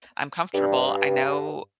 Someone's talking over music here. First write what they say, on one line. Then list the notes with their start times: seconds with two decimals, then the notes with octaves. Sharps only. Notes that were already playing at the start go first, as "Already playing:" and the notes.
I'm comfortable, I know
0.54 G2